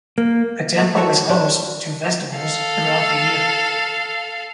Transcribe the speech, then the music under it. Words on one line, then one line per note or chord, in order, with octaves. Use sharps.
The temple is host to festivals throughout the year.
A#3
A3
C4 F#4 A4 C#5
C#4 D4 G4
A4 F5